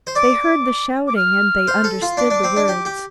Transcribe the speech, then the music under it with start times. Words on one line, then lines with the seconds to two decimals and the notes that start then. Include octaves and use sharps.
They heard the shouting, and they understood the words.
0.07 C5
0.15 D5 D6
1.07 D6
1.16 F6
1.68 C5
1.84 A4
2.02 F4
2.17 D4 D6
2.30 D4
2.44 C4
2.57 D4
2.68 G4
2.85 G4